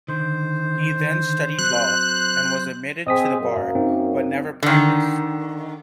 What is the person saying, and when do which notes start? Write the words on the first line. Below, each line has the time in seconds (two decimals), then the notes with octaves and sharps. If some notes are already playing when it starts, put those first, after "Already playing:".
He then studied law, and was admitted to the bar, but never practiced.
0.08 D3 D#3 C5
1.59 F#3 C4 F#6
3.07 C4 G#4 D#5 D#6 B6
3.40 F#2 A#3
3.75 C4 D#4
4.63 D3 D#3